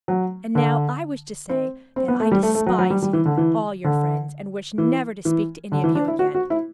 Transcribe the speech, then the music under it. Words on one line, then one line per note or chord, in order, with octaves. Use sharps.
And now I wish to say that I despise you and all your friends, and wish never to speak to any of you again.
F#3
D3
C4
C4
B3
A3
G3
A3
A3
F#3
F#3
G3
G3
E3
D3
E3
D3
E3
E3
D3
E3
D4
E4
F#4
F#4
E4